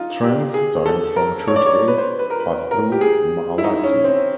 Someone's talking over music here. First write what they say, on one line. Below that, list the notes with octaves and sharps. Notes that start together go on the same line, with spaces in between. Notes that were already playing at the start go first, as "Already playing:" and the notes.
Trains starting from Churchgate pass through Mahalaxmi.
Already playing: D#4 F4
G4
G#4
A4
A#4
C#5
D5
C#5
B4
C5
B4
A#4
B4
A#4
G4
G#4
E4
D#4
C#4
C4